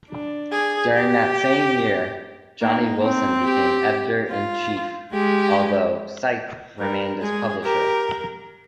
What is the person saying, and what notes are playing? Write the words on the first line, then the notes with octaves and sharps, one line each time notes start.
During that same year, Johnny Wilson became editor-in-chief, although Sipe remained as Publisher.
D4
G#4
G4
A#3 D#4
C4
G4
F4
G#3 G4
G3 A#4
G#3 G#4
G4 A#4